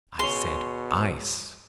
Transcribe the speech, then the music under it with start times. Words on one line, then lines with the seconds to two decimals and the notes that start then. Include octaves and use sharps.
"I said ice."
0.19 B2 G#4 C#5 C6